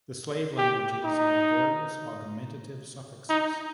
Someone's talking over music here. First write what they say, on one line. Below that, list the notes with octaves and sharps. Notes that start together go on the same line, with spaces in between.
The slave languages have various augmentative suffixes.
G4
D#4
D#4